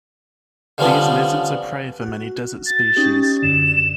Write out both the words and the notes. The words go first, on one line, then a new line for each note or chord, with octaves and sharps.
These lizards are prey for many desert species.
D3 F3 G3 B3 C#4 D4
F#4
A6
C#4 D#4 G4
F#2 D3 E7